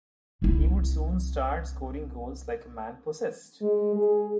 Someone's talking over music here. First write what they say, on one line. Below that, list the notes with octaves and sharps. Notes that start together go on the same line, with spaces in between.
He would soon start scoring goals like a man possessed.
C2 E4
G#3
G#4